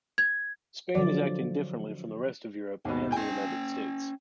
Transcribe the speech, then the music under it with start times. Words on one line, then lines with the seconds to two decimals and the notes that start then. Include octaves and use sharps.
Spain is acting differently from the rest of Europe and the United States.
0.18 G#6
0.95 D3 F3 F#3 D5
2.85 D#2 G#2 B2
3.12 C#4 G5 G#5